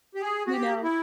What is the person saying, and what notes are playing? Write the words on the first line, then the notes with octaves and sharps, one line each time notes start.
you know,
G4
G#4
F#4
G4
E4